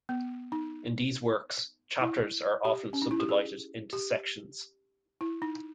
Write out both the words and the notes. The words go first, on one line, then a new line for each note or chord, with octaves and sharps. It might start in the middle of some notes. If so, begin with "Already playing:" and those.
In these works, chapters are often subdivided into sections.
B3
D#4
E4
G4
C#4
D#4
E4
G4
G#4
G4
E4
D#4